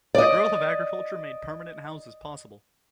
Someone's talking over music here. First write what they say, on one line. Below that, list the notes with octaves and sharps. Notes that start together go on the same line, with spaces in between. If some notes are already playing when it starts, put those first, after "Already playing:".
The growth of agriculture made permanent houses possible.
D5 D#5